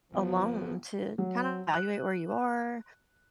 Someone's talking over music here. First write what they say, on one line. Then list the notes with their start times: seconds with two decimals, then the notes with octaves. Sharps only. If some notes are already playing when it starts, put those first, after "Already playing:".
alone to kinda evaluate where you are,
0.12 G1 F3 B3
1.18 F#3
1.74 F#6